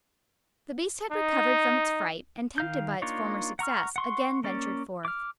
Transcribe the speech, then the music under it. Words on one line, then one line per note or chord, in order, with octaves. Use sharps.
The beast had recovered from its fright, and, tempted by its former success, again ventured forth.
D#4
D#3 F5 G6
A#3 D4 D#4 F4 C#5
F#5 A#5 C#6 F6
F#5 C6 C#6
A#3 C#4 D5
D6 F6